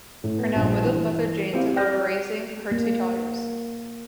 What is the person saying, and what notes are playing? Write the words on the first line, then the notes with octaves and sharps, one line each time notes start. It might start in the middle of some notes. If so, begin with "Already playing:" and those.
Her now widowed mother Jane took over raising her two daughters.
A2
B3
A#1 G2
E3
C4 E4 G4 F5
D5 G5 D6 F6 G6 A#6
A#3